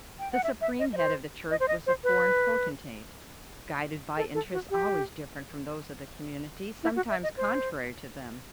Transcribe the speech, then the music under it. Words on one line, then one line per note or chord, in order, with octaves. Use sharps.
The supreme head of the church was a foreign potentate, guided by interests always different from those of the community, sometimes contrary to them.
G5
F#5
E5
E5
D#5
D#5
C5
D#5
C5
D#5
C5
B4
A4
A4
F#4
G4
E4
F#4
E5
D#5
C5